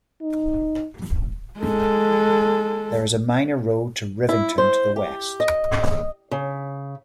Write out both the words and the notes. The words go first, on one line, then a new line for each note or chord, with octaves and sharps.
There is a minor road to Rivington to the west.
D#4
G#3 A4
E4
C5
G4
D#5
C#3